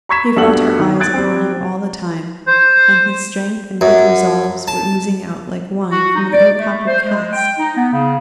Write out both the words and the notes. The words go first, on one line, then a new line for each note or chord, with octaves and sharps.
He felt her eyes upon him all the time, and his strength and good resolves were oozing out like wine from an ill-coppered cask.
A#5 B5 C#6 G#6 B6 E7
B1 G2 F#4 A4 F#5 F#7
D#3
F#6 G#6 A6 D7
G3 C4
C5
F#2
A5
F#4
D#4
D5
A3
C5
G#3
G5
D#4
B3
C#3